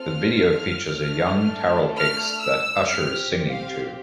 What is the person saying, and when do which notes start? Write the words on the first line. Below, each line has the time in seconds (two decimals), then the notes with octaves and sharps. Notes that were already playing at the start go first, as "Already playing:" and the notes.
The video features a young Taral Hicks, that Usher is singing to.
Already playing: C4 F4 A4 F6
1.07 A3 D4 A4
1.97 F6
2.42 E6
2.87 C4 G4 F6
3.48 F5